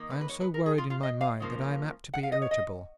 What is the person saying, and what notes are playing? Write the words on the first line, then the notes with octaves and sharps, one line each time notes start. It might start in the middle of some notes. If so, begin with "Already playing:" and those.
I am so worried in my mind that I am apt to be irritable.
Already playing: D#3 A#3
B4
B4
C#5
B4
A#4
G#4
F4
F4
D#5
F5
C#3 F3 A#3
F#5
F5
D#5
C#5
D#5